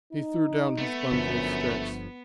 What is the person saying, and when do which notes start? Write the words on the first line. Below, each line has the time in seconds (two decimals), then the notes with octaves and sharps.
He threw down his bundle of sticks.
0.12 D#4
0.78 A3 B3
1.12 G1 F#2 D3 F3